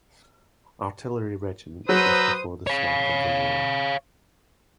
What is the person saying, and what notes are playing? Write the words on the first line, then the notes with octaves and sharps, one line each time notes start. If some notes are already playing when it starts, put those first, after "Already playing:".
Artillery regiments just before the start of the war.
F#3 B4 C5 A#5 D#6 E6 G6
C#5 F5